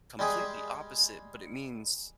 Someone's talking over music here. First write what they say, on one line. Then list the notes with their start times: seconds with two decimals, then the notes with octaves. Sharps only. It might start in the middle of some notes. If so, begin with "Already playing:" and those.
completely opposite, but it means
0.19 G3 G#3 G4 G#4